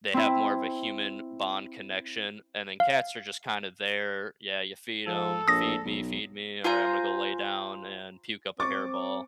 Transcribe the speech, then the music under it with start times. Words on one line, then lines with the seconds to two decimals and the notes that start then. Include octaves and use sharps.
they have more of a human bond connection, and then cats are just kind of there. Yeah, you feed 'em. "Feed me, feed me, alright, I'm gonna go lay down and puke up a hairball."
0.14 C4 E4
2.80 F5
5.07 F3 A4
5.48 A#1 D#6 A#6
5.85 B1
6.64 F4 C5 G#5 A#5
8.60 C4 C#6 D6 A6